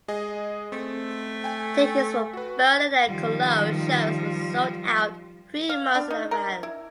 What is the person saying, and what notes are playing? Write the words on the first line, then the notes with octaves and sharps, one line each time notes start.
Tickets for Berlin and Cologne shows were sold out three months in advance.
G#3 G#4 D#5
A3 C4
G5 G#5
F#4 B4
D#3 F3 G3
F5
D4
D#4
A#4
E4